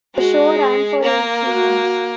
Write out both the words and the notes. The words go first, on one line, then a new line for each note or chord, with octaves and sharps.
The show ran for eight seasons.
G#3 F#4
G#4
A#3 A#4
F#4